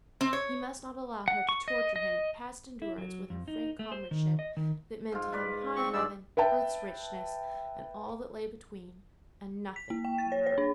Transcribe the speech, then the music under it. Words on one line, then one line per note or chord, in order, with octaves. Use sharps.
He must not allow her to torture him past endurance with her frank comradeship that meant to him high heaven, earth's richness, and all that lay between, and NOTHING to her.
C4
C#5
F#5
C#6
D#5
D#5
E4
F#3
F2
D#4
A3
C5
D#3
D#5
D#3
G#2 F4
F4 B4 D5
C4 C#6
G2 G#3 D5 E6
B4 E5 G5 A5
B6
A#3
G5
A6
C#5
C#5
D4